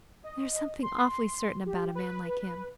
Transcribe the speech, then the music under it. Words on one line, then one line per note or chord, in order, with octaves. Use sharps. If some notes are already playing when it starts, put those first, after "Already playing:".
There is something awfully certain about a man like him.
D#5
C6
G4
B4